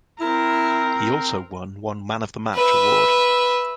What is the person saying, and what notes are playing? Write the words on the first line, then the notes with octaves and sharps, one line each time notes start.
He also won one man of the match award.
C4 E4 A#4
B4 E5